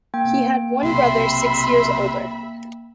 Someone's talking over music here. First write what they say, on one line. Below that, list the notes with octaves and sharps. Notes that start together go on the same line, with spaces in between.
He had one brother six years older.
A#3 G5
B1 C3 E5 B5 C6